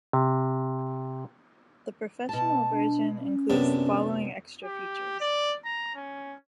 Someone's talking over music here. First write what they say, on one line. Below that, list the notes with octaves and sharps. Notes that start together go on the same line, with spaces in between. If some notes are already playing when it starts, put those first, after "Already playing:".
The professional version includes the following extra features.
C3
B2 A5
D4
C#4
F#2 C3 B3 D4
G4
D5
A#5
C#4